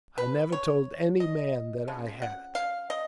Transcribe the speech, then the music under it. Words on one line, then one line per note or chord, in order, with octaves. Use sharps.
"I never told any man that I had it."
B4
C#5
D#5
C#3 F3
F#5
F5
D#5